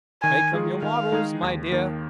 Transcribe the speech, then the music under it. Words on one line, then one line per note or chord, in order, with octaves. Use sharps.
Make 'em your models, my dear.
D#3 G#5
G#3 F4 G#4
D#3 F5
G#3 D#4 G#4
D#2
D#3 A#3